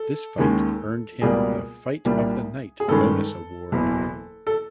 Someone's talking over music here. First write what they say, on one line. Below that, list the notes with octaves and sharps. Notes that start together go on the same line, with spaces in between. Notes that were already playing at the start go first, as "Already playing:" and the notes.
This fight earned him the "Fight of the Night" bonus award.
Already playing: A4
D#2 D#3 G#3 C#4
C#2 B2 G3 A#3 G#4
C2 A#2 G3 A#3 D4
G#4
G2 D#3 G#3 C#4 A4
F#1 E2 B2
A4